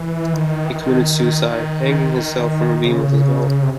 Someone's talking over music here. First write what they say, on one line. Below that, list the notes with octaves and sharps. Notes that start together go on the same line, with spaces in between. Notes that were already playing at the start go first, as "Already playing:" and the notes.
He committed suicide, hanging himself from a beam with his belt.
Already playing: E3
D#3
E3
D#3
C#3
C3